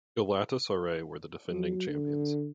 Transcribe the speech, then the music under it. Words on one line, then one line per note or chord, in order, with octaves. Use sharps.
Galatasaray were the defending champions.
F#3
D3